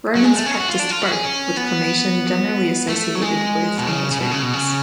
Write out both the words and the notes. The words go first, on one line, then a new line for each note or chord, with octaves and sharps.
Romans practiced both, with cremation generally associated with military honors.
F#3
G#3
A3
C#4
F#4
F4
D4
F4
F#4
G#4
C#4
B3
A3
F#3
G#3
B2
C#3
C#3
B2
C#3
B2
C#3